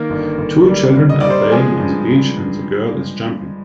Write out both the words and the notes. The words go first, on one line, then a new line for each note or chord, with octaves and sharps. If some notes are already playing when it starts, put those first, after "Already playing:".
Two children are playing on the beach and the girl is jumping.
Already playing: D#3 A#3 A#4
G1
G1
G3
G1
D#5
G3 D5
C5
A#4
F3 G#3 G#4
G2
G2
G2